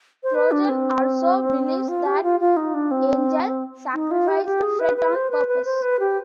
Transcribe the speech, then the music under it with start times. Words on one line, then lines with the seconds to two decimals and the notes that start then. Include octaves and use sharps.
Drogyn also believes that Angel sacrificed Fred on purpose.
0.23 C5
0.35 B4
0.51 D4
0.69 C4
1.88 F4
2.06 G4
2.23 F4
2.40 F4
2.57 D#4
2.74 D4
2.91 C4
3.94 D#4
4.11 F4
4.28 G4
4.46 G4
4.62 G#4
4.79 B4
4.97 B4
5.14 C5
5.30 B4
5.48 B4
5.65 C5
5.82 B4
6.00 G4